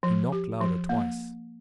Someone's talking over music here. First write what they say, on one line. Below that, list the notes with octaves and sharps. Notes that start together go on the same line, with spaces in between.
He knocked louder twice.
F3
G4
F3
A#3